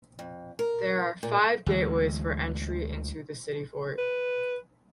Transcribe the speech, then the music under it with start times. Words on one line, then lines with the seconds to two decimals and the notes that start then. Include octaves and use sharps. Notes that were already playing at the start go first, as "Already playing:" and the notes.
There are five gateways for entry into the city fort.
0.19 F2
0.59 A#4
1.23 A#2
1.66 D2 E3 G#3
3.98 B4